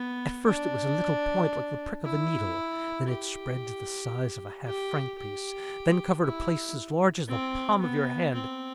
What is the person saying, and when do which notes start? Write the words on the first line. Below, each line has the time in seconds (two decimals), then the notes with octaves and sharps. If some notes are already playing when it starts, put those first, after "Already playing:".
At first it was a little point like the prick of a needle,--then it spread to the size of a half-franc piece,--then covered a place as large as the palm of your hand.
Already playing: B3
0.46 D4
2.04 E4
3.08 G4
4.66 G4
5.18 G4
6.23 E4
7.28 C4
7.81 B3
8.33 C4